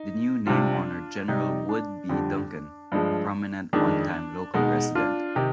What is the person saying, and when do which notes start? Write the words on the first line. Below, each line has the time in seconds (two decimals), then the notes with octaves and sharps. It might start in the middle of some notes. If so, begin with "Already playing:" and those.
The new name honored General Wood B. Duncan, a prominent onetime local resident.
Already playing: D#4
0.46 C3 G3 D4 F4
1.28 C3 G3 D#4
1.69 D4
2.09 F2 D3 G3
2.92 G2 F3 G#3
3.73 F2 D#3 G#3 D4
4.54 B2 G#3 D#4
4.95 D4 F4
5.35 C3 D#3 D#4 G4